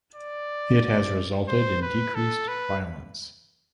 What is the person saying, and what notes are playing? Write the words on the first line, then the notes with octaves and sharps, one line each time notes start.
It has resulted in decreased violence.
D5
C5
B4
A4
B4